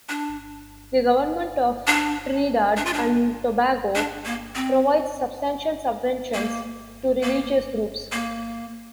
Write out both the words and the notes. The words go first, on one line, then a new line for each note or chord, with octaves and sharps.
The Government of Trinidad and Tobago provides substantial subventions to religious groups.
D4
D4
D4
F4
D4
D4
A#3
C4
A#3
A#3
A#3